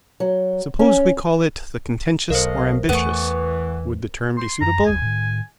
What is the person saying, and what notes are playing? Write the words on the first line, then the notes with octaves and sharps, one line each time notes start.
Suppose we call it the contentious or ambitious--would the term be suitable?
F#3
C#4
B1 A3 A#4 C5 D#5 F5
E2 E3 A3 B3 C#6
C6
F#2 A#5
D1 G1 D#2 G#5
A2 D#3